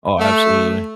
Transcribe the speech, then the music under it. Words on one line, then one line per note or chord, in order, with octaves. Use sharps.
Oh, absolutely.
A3